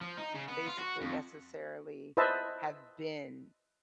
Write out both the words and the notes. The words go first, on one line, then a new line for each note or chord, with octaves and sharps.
basically, necessarily, have been
F3
D#4
C#3
B3
F4
F#4
F2
B4 C5 D#5 E5 A5